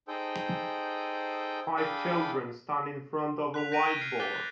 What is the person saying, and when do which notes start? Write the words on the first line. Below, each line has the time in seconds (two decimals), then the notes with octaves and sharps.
Five children stand in front of a whiteboard.
0.08 D#4 G#4 A4 C5 G5
1.77 D4 G#4 A4 F5 G5 B5
3.54 F#6 B6 F7
3.72 G6 A#6 B6 D7 D#7 F7
3.86 G#6 G7
4.01 F6 C7
4.20 D6 F#6 G6 A6 B6 G7
4.34 F#6